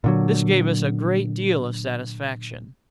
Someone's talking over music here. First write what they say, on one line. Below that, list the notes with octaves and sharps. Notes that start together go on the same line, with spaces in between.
This gave us a great deal of satisfaction.
A#2 D3 F#3